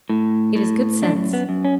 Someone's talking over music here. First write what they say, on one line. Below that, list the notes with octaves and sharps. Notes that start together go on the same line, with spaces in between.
It is good sense.
A2
A2
F#2 D4
B3
F#2
C#4